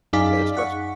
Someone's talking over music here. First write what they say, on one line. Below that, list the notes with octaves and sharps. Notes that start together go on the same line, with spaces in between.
Yeah, that's stress
F#2 D#4 G#4 D5 F5 B6
F#5 C#6